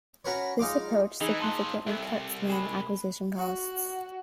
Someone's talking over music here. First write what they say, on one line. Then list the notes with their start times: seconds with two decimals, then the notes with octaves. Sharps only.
This approach significantly cuts land acquisition costs.
0.25 C#4 F#4 A#4 B4 C#5
0.59 G#3 D#4 F4 D6
1.21 E3 D#4 G#4 F7
1.40 A#2 F3 A5 C6 F#6
1.87 C2 A4 E5
2.49 G#3 B5 E7
3.37 F#4